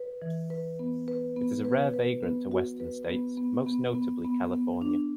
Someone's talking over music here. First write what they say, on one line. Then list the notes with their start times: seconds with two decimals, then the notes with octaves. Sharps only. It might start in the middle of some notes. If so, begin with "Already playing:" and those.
It is a rare vagrant to western states, most notably California.
Already playing: B4
0.22 E3
0.50 B4
0.79 B3
1.08 B4
1.36 B3
1.65 B4
1.94 B4
2.23 B3
2.51 F#4
2.80 B4
3.09 B3
3.37 B3
3.67 B3
3.95 B3
4.25 B3
4.53 B3
4.82 D4